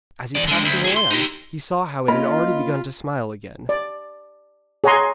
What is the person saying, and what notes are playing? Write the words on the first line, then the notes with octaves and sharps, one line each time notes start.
As he passed through the land, he saw how it had already begun to smile again.
E2 D5
D3 G#3
D2
F#4 G#4
C6
D#4 G4
A#3 C#4 D#4 F4 B5
D5
G#4 C#5 F#5 G#5 A#5 C6